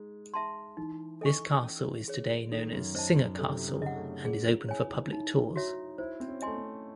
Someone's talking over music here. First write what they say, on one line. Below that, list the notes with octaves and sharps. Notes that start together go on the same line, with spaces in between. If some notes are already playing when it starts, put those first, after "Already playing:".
This castle is today known as Singer Castle and is open for public tours.
Already playing: G#3 D#4
E5 A5 C6
E3 D#4
A4 D#5 G#5 C#6
C#4
G#4 C#5
D#3 A4
F#2
F#2 C5 D#5 A5
F#2
C3 A4
C#3
D#5 F#5
A3
C#4 G#4
D#4
E4 C#5 G#5
E4
D#4
D#4 E4
D#4 F#4 C#5 E5
E4 C5
C4
C#4
A3 D#5 G#5 C6
C4